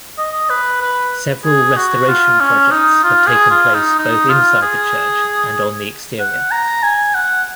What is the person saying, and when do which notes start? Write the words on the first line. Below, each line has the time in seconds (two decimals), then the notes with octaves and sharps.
Several restoration projects have taken place both inside the church and on the exterior.
0.18 D#5
0.50 B4
0.81 B4
1.45 G#4
1.76 F#4
2.08 F4
2.40 C#4
2.71 D#4
3.03 F4
3.27 G#4
3.51 F4
3.74 D#4
3.98 D#4
4.29 F4
4.62 G#4
6.20 F#5
6.51 A#5
6.83 G#5
7.15 F#5